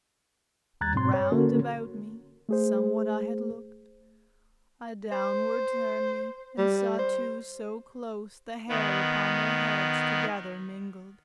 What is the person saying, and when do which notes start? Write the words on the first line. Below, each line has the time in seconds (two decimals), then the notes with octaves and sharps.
When round about me somewhat I had looked, I downward turned me, and saw two so close, The hair upon their heads together mingled.
0.81 D#2 A#5 F#6 G#6 A6
0.95 G#2 B2 C4 C6
1.12 G2 C#5
1.32 D3 A#3 C#4 F#4 A4 A#4
2.49 A3 G#4 C5
5.12 C5
6.58 G3
6.99 C5
8.69 D#3 B3